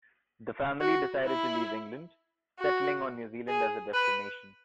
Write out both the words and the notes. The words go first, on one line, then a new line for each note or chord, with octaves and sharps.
The family decided to leave England, settling on New Zealand as a destination.
F#4
E4
F#4
G#4
B4